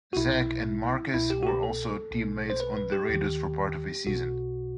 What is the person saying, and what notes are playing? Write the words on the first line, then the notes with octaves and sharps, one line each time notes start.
Zach and Marques were also teammates on the Raiders for part of a season.
F#4
B1 B2 E4
C2 B2 E4
G4
F#4
G4
A4
B1 B2
C5
B4
B4
G4
D#2 D#3
B1 B2 F#4